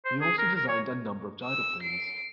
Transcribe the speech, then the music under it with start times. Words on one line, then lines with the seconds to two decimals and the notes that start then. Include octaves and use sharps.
He also designed a number of gyroplanes.
0.05 C5
0.21 G#4
0.38 A#4
0.55 A#4
0.68 C#5
1.44 E6
1.82 C7 D7